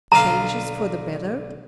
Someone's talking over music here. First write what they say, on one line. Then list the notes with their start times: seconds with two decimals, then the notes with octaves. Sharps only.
"Changes for the better?"
0.12 B1 D3 F5 A#5